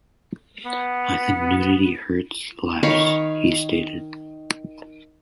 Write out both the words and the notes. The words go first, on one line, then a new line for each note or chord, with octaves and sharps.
"I think nudity hurts laughs", he stated.
B3
D#3 C#5 F5 B5